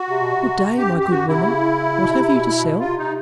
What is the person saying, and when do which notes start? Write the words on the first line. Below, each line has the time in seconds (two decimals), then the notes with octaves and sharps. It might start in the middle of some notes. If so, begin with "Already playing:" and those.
"Good-day, my good woman, what have you to sell?"
Already playing: F#4
0.10 C3
0.21 B2
0.33 C3
0.77 F#2 G4
0.94 F#2
1.00 G4
1.11 F#2 F#4
1.28 C3 E4
1.45 C#3
2.01 B2
2.12 C3
2.35 B2
2.57 B2
2.80 C3 F4
2.98 D#4